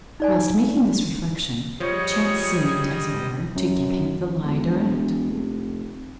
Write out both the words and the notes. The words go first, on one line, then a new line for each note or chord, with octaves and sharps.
Whilst making this reflection, chance seemed, as it were, to give him the lie direct.
D#4 D5 G#5
F3 G3 G#4 C#5 D#5
F#2
E1
F1